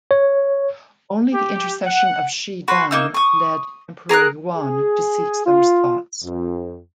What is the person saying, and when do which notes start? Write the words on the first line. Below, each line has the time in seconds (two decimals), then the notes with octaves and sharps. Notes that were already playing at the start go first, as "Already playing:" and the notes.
Only the intercession of Shi Dan led Emperor Yuan to cease those thoughts.
0.11 C#5
1.34 G4
1.86 F#5
2.68 F#4 B4 C6
2.91 A#3 D#4 E6
3.14 C#6 D#6
4.09 G#4 A#4 D6 F#6
4.56 G#4
5.45 F4
6.23 F2